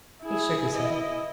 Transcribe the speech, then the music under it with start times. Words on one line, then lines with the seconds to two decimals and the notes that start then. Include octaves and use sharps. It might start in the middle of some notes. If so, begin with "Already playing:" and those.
He shook his head.
0.22 E4 G#4
0.73 E4 D#5